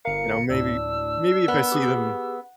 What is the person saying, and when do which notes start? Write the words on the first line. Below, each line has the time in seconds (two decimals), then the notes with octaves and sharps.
you know, maybe maybe if I see them
0.05 G1 A#4 F5 C#7
0.50 D2 A2 D4 E6
1.48 B3 A#4
1.72 G4 G#4